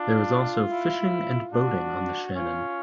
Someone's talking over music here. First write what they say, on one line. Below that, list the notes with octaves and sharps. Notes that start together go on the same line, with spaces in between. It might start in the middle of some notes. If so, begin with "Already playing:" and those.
There is also fishing and boating on the Shannon.
Already playing: D4 F4
E4
D4 F#4
C#4 F4